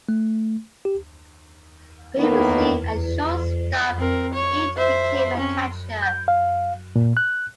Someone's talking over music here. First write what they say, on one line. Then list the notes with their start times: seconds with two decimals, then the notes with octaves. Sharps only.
Previously a shortstop, Inge became a catcher.
0.09 A3
0.85 G4
2.18 A2 D#3 A#3 B3 D#4
3.98 C4 A#4
4.33 C#5
4.77 C5 E5
5.37 C4 C#4
6.02 G6
6.28 F5
6.96 A#2
7.17 F#6